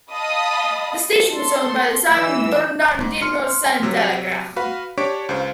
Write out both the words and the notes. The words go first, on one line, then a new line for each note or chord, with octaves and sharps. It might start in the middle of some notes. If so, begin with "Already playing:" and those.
The station was owned by the "San Bernardino Sun-Telegram".
D#5 F5 A5 B5 D#6
A4 C6
E3 E6
G#2
C6 F6 C#7
C3 F#3
F#4 B4 F5 B5
D4 G4 C#5 C#6 B6 D7
C#2 C5 F5